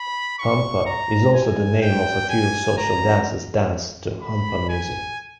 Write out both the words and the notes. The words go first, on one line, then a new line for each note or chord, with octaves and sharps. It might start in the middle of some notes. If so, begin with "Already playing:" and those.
Humppa is also the name of a few social dances danced to humppa music.
Already playing: B5
C#6
A#5
G#5
G5
G#5
A#5
B5
G#5